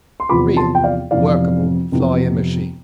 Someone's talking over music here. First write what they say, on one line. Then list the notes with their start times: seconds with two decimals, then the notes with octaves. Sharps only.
Real, workable, flying machines.
0.20 C6
0.29 E2 C3 F3 B3 F4 B5 D6
0.57 A5 C6
0.75 G5
0.84 D5 F5
1.11 F2 C3 E3 B3 D5 F5
1.92 F2 C3 E3 B3